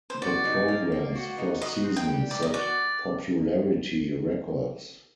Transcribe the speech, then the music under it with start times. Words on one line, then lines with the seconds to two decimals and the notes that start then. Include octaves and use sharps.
The program's first season set popularity records.
0.10 C5
0.22 F#4 D5
0.45 D#4
0.68 A#3
0.92 A#3
1.15 F#4
1.38 D#4
1.61 F#4 D#5
1.84 C4
1.96 G5
2.07 G3
2.30 G3 D5
2.42 D#5
2.54 F#4 D5